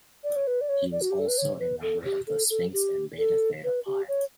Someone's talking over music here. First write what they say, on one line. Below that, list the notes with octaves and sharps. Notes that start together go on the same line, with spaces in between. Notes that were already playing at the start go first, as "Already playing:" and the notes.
He was also a member of the Sphinx and Beta Theta Pi.
D5
C#5
B4
D5
C#5
D5
F#4
G4
A4
B4
C#5
B4
A4
G4
A4
A4
G4
A4
B4
G4
C#5